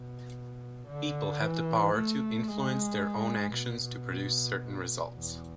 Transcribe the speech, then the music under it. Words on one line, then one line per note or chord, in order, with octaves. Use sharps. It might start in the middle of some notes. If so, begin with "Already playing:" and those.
People have the power to influence their own actions to produce certain results.
Already playing: B2
D3
E3
A3
G#3
B2
E2